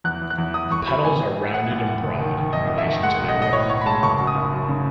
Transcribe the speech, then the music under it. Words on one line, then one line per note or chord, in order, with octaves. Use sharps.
The petals are rounded and broad in relation to their width.
E2 F#6
E2
F#6
E2
E2 D#6
E2 C#6
F#3 B5
A1 G#5
A2
A2
A2 F#5
A1
A2
F#1
D#3
D#3
E2 D#5
F#1
E5
D#3
G#3 F#5
B1
D#5
B1
D#5
A2 C#5
A2 C#5
B5
G#3 A5
F#1 C#6
F#2
D#6
F#1
F#2
C#3